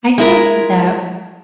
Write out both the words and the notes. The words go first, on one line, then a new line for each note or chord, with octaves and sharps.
I think that, w
G#3 E4 A#4